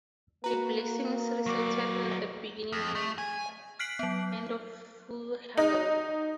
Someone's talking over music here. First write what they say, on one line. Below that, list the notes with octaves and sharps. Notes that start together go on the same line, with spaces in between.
A blessing is recited at the beginning and end of Full Hallel.
A#3 F#4 B4 A#5
F#3 D5 C#6 D6
F2
A3
G#5
F6 F#6 B6 C7 D7 F#7
F#3 B3
D#4